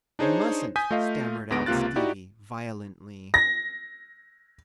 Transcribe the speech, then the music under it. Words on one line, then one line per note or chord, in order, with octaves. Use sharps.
"You mustn't," stammered out Stevie violently.
D4 D#4 G#4 C5 C#5
G#5 D#6 G6 B6
A3 F4 D#5 F5
D2 G#2 B3 A#6 D7
C#2 C3 A#3 F4 F#6 A6
D#4 E4 F#4 G4 D5
A#6